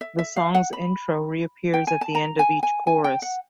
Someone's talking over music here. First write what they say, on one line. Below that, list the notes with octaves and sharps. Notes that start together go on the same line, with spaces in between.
The song's intro reappears at the end of each chorus.
E5
E5
F5
F#5
B5
G5
G#5
A5
A#5
G#5
G#5
G#5
G5
F#5